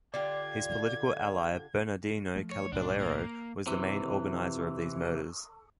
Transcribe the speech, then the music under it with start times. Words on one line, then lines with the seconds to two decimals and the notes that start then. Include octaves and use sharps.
His political ally Bernardino Caballero was the main organizer of these murders.
0.14 D3 F4 G4 D5 G#6
2.36 F3 A3
2.51 C#5
2.72 C2 A2 F3 D4
3.00 A#3
3.67 C3 E3